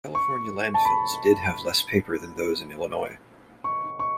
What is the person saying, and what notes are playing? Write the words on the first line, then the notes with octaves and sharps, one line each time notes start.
The California landfills did have less paper than those in Illinois.
C#6
A5
B5
C#6
C#6